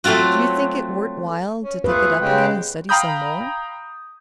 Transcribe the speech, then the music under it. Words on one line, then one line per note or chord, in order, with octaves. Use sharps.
Do you think it worth while to take it up again and study some more?
F#3 A3 C4 F4 F#4
C#4
A3 F4 G#4 B4
C#3 G#3 F#4 G4 G5
F5 G5 A#5 B5 D#6 G6